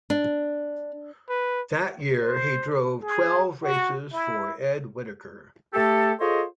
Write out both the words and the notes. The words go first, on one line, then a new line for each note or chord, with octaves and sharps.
That year, he drove twelve races for Ed Whitaker.
D4
B4
C5
G#4
F#4
E4
A3 G4 A4
F4 G#4 A4 C5 C#5 D#5